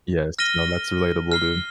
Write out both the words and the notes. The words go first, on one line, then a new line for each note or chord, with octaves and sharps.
yes, no, that's relatable, dude.
F6 A#6 D#7 G7
F6 C7 G7